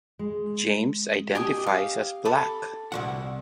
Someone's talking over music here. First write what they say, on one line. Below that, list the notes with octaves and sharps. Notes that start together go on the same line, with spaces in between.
James identifies as black.
G#3
G4 D#5 G#5
F5
A4 B5 D6
C2 D#3 F#5